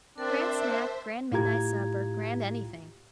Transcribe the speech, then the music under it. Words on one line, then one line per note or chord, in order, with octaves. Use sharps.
Grand snack, grand midnight supper, grand anything.
C4 D4 A#4 C5 E5 A5
A2 E4 F4 G4 A#5 G#6